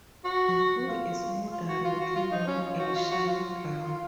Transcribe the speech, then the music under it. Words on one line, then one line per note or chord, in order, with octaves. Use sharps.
The fur is moderately long and shiny brown.
F#4
F4
F4
F#4
F4
F#4
F4
D#4
C#4
F4
F#4
F4
F#4
F4